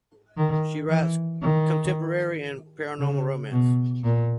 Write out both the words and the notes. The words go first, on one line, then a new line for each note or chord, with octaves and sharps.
She writes contemporary and paranormal romance.
D#3
E3
D#3
C#3
B2
A#2